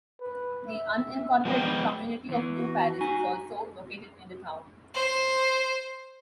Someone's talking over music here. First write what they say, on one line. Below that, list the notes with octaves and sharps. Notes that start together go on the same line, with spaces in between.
The unincorporated community of New Paris is also located in the town.
B4
E5
F3 G#3 B3 G5
E2 E3
F#4
D#4 G#5
C5